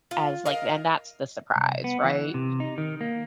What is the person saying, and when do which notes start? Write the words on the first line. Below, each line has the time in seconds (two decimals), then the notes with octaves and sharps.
a uh, as like and that's the surprise, right?
0.11 F4
0.46 A#4 D#5 F5
1.56 C2
1.84 B3
2.04 E3
2.34 C3
2.60 D#4
2.78 D#3
3.01 A#3